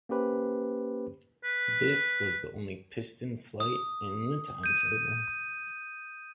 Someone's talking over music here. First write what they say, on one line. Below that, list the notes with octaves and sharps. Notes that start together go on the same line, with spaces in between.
This was the only piston flight in the timetable.
A#3 C#4 G4 B4 C5
B4
D#6
G6 D#7